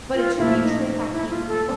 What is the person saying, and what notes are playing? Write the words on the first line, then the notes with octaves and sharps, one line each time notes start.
but a two-day trip, I can't do.
F4
A#2 F3 A3 E4
D#4
D#4
E4
F4
A4